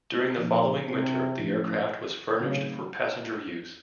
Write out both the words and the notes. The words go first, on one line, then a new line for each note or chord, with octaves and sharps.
During the following winter the aircraft was furnished for passenger use.
A#2 F3 A#3 D#4
C3
A2 F3 A3 C#4 E4
A2 C#3 F#3 A3 C4 D#4